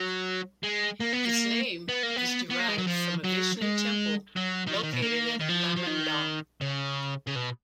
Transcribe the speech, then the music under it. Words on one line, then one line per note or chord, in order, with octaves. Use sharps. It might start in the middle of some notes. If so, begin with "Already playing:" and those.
Its name is derived from a Vishnu Temple located at Lamangdong.
Already playing: F#3
G#3
A#3
B3
A#3
B3
A#3
B3
B3
A#3
G#3
F#3
F3
F#3
G#3
F#3
D#3
F3
D#3
B2
A#3
D#3
F3
F3
D#3
C#3
C#3
B2